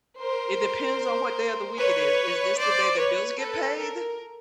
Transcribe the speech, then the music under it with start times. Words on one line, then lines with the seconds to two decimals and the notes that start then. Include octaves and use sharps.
it depends on what day of the week it is, is this the day that bills get paid?
0.19 A#4 C5
1.79 B4 C#5
2.58 C5 D5
2.98 B4 C#5
3.38 A4 B4
3.78 A#4